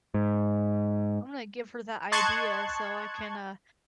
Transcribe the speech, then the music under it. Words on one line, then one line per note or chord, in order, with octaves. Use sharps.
I'm gonna give her that idea, so I can, uh,
G#2
D#5 A5 C6 C#6 F#6 G#6